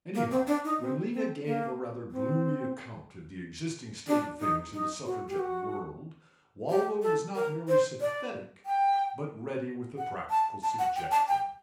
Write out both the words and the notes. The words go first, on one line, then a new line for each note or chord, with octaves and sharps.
Anyhow, when Lena gave a rather gloomy account of the existing state of things in the Suffragette World, Waldo was not merely sympathetic but ready with a practical suggestion.
A#3
C4
D4
D#4
C4
C4
A#3
C4
D4
D#4
D#4
F#4
G4
F#4
G4
A4
A#4
C5
D5
G5
F#5
A5
A5
F#5
G5
A5
G5